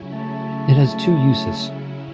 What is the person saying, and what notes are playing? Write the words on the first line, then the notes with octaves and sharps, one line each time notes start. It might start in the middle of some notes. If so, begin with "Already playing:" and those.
It has two uses.
Already playing: C#3 F#3 C#4 E4
A3
A3